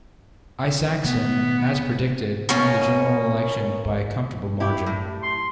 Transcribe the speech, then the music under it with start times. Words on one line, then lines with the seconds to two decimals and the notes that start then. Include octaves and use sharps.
Isakson, as predicted, won the general election by a comfortable margin.
1.04 B2 D#3 A3 B3
2.49 B2 A#3 C#4
4.60 E4 G4
4.86 A2
5.23 C6